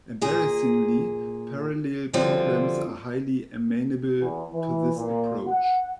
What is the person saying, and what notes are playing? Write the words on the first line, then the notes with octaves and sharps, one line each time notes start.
Embarrassingly parallel problems are highly amenable to this approach.
A#2 G#4
F#2 D3 F3 G3 C4
E2
E3
A#2
F#5